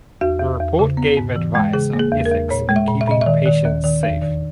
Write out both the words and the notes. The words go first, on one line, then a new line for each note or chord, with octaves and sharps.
The report gave advice on ethics and keeping patients safe.
E2 F#4
E2
E2
C#3
B3
G#2
E3
G#3
C#3 G#4
A#3
G#4
E2
A#4
E2
A#2 C#5
G#3
E5
A#2
E5
A#2 D#5
D#3 E5
D#3
D#2
D#3
E2
D#3